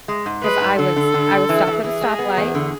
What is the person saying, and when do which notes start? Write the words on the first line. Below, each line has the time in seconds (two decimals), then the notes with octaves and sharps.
'cause I was I was stopped at a stoplight,
0.08 G#3
0.26 G#2
0.44 G#3 B4
0.61 G#2
0.78 D3 A4
0.96 D3
1.14 D3
1.31 D3
1.49 E3
1.67 E3
1.84 E3 G#4
2.01 G#3
2.19 B3
2.37 E2
2.54 D3